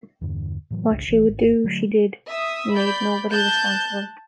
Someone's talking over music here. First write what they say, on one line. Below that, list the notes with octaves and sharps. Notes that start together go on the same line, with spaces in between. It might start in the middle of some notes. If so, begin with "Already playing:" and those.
What she would do she did, and made nobody responsible.
E2 G2 D3
A2 E3 F#3
G#1 C#2 C#3 D4
A#1 E3
G#1
D3 F#3 A3
E5 D#6
D5 B5 G6
A5 F#6 G6